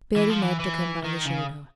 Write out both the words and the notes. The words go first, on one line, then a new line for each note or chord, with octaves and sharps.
Beardy Ned took him by the shoulder.
E3
F3
E3
E3
D#3
C#3